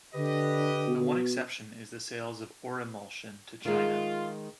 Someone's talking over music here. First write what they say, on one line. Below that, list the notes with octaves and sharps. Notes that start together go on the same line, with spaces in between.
The one exception is the sales of Orimulsion to China.
D3 G4 B4 D#5
B2
D#3 G#3 F4